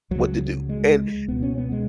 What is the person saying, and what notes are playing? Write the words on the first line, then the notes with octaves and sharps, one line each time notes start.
what to do, and, b
C#2 C#3 F#3
G#3
C#2 B2 B3
C#4
B3
G#3